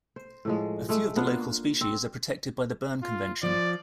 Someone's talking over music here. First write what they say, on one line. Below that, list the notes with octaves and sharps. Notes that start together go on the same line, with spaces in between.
A few of the local species are protected by the Bern Convention.
C5
A2 F3 G#3
G#3 A3
B3 D4 F4
A#3
C4
F4
F3 D5